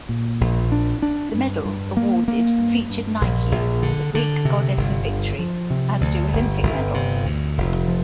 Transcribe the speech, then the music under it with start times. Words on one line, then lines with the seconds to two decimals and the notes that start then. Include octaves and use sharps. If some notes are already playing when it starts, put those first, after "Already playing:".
The medals awarded featured Nike, the Greek goddess of victory as do Olympic medals.
0.09 A#2
0.41 A#1
0.72 D4
1.02 D4
1.34 G2
1.65 G2
1.97 A#3
2.28 A#3
2.58 G2
2.90 G2
3.21 A#1
3.52 A#1
3.83 D3
4.15 D3
4.45 C3
4.77 G1
5.08 D3
5.39 F3
5.70 C3
6.01 D2
6.33 G1
6.63 G1
6.94 C3
7.25 D2
7.58 F1
7.88 F3